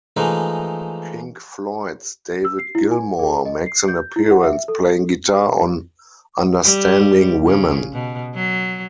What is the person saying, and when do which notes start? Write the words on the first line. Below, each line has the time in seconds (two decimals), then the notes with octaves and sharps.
Pink Floyd's David Gilmour makes an appearance playing guitar on "Understanding Women".
0.16 E3 F3 G#3 A3 D#4
2.45 E6
2.59 C7
2.75 E4
2.91 G#5
3.19 G#4
3.45 D#5
3.66 C7
3.88 G6
4.16 E4
4.31 F#5
4.43 E5
4.68 A4
6.63 G3
7.46 C#3
7.93 B2
8.34 F#3